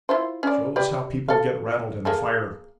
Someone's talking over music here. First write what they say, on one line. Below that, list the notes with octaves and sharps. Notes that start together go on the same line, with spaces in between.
Shows how people get rattled in a fire.
E4 F4 C5
C#4 D5
G4 B4 D5
A4 F5
A#3 G#4 A4